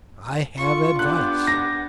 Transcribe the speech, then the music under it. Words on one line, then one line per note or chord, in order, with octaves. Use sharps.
I have advice.
F4 C#6
B3 D4 G4 F#6
A#6